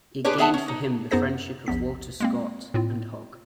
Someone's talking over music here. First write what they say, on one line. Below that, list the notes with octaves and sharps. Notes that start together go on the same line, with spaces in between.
It gained for him the friendship of Walter Scott and Hogg.
D4 G4 G#4 B4 C#5
B3 G#4 E5 F#5 G#5 A5
C#4
D#4
F#2 B3 D#4 G#4 C5 A#6
A#1 E2 B3 B6
G#3 A#3 C4
A2 C4 F4